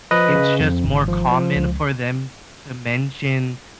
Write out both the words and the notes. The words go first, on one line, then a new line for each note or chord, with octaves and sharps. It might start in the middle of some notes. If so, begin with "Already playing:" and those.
it's, just, more common for them to mention
F3 B4 D#5
C#3
F2
G#1
F3
F3
C#2